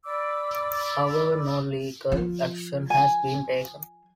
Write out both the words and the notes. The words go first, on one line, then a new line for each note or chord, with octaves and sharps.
However, no legal action has been taken.
D5 B5 D6 E6
F3 F4
G#5